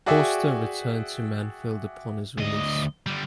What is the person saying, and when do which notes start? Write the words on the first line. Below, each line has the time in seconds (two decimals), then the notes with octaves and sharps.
Forster returned to Manfield upon his release.
0.06 F#4 G#4 D5 E5 G5
2.38 D2 D#5
3.07 D3 G3